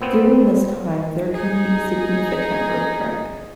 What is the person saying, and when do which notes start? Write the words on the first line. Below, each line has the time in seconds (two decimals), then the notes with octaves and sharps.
During this time, there can be significant brake drag.
0.01 A#2 B3 C4
1.33 D#4 G#4